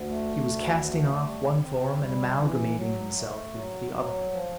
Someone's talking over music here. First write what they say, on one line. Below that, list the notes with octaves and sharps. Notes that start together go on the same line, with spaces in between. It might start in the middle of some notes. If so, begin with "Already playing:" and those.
He was casting off one form, and amalgamating himself with the other.
Already playing: D2
A3
D2
A3
G3
C4
G3
E3
F#3
A3
F#3
F#3
F3